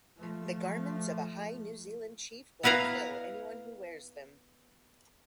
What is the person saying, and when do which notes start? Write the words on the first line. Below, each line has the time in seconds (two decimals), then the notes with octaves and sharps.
The garments of a high New Zealand chief will kill anyone who wears them.
0.17 F3 A3
2.63 B3 E4 B4 F5 A#5